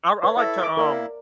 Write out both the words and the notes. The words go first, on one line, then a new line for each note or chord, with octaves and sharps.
I I like to, um
B4 C#5
E4 A4 E5
D6
A#3 E4 A#4 D5